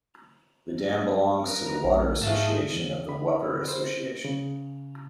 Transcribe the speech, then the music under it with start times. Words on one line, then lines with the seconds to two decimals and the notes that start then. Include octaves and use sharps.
The dam belongs to the water association of the Wupper Association.
1.45 A#4 B4
1.84 A#1 A3
2.21 G#2 G#3 A3 G#4 F5 A5
2.73 E2
3.09 B5
3.68 C5
4.25 C#3